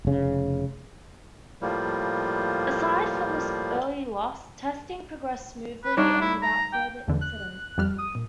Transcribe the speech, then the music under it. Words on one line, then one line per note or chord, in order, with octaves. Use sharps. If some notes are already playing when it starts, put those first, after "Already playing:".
Aside from this early loss, testing progressed smoothly and without further incident.
F1 C#3
A2 F3 G3 A#3
B4
G3 D4 D#4 C#5
E4
A#5
G5
E2 D3 E3
F#6
F2 G3 F6
D#6
A#2